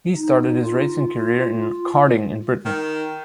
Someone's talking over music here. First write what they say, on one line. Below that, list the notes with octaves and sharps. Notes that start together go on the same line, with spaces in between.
He started his racing career in karting in Britain.
D#4
F4
D#3